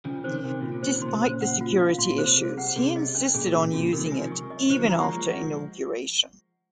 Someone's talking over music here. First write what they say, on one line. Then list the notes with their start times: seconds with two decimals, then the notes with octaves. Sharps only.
Despite the security issues, he insisted on using it even after inauguration.
0.05 C#3 F3 C#4
0.24 C3 D#3 C5
0.44 C3 D#3 C#4
0.61 A#2 F4
0.72 C3
0.83 A#2 C#3 C5
0.95 C3 D#3
1.02 C6
1.08 A#2 C#3
1.22 C5
1.41 F#5
1.61 F4
1.80 F5
1.98 A#2 C6
2.18 C3 C5
2.38 G#4
2.58 F#5
2.76 C3 G#4
2.96 D#5
3.15 C#4
3.34 A#2 C#3 G#4
3.54 C#4
3.63 A#2
3.73 C3 F4
3.83 A#2 C#3
3.92 C3 D#3 A#4
4.05 F3 G#3
4.12 G#5
4.19 C3 D#3
4.32 C#6
4.50 D#5
4.70 C#3 F3 C5
4.79 D#3 F#3
4.89 F3 G#3 A#5
4.99 F#3 A#3
5.09 F3 G#3 C#6
5.28 F3 G#3 F#5